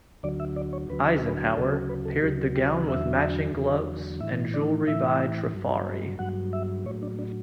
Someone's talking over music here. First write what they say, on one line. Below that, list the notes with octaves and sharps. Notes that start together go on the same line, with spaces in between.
Eisenhower paired the gown with matching gloves, and jewelry by Trifari.
D2 D3 F#3 D5
E5
D5
C#5
D2 D3 F#3 B4
B4
D2 C#3 F#3 A4
A4
B4
A4
D2 C#3 F#3 G4
G4
E2 D3 F#3 E5
E2 D3 F#3
A2 E3 E5
D5
A2 E3 E5
G2 F#3
G2 F#3 F#5
E5
A2 F#3 C#5
D4
D4